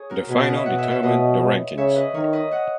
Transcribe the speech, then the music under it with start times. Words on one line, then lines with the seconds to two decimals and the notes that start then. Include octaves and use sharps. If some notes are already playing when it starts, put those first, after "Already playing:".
The final determined the rankings.
Already playing: G#4 C#5
0.10 F#4 A#4
0.28 B2 G#4 B4
0.38 A#4 C#5
0.47 B4 D#5
0.57 C#5 E5
0.65 B2 D#5 F#5
0.78 C#5 E5
0.90 C#5 E5
1.02 B2 B4 D#5
1.77 C#3 C#5 E5
1.95 B4 D#5
2.14 D#3 A#4 C#5
2.33 B4 D#5
2.51 D#5 F#5